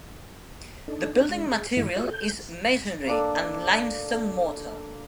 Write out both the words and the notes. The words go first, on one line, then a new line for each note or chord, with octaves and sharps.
The building material is masonry and limestone mortar.
D4 D#4 A4
G#3 D4
G#4
G2 D#3 E3 A3 E4
F4 F#4 G#4 C#5 D#5 E5
A4 G6
A#3 D4 A4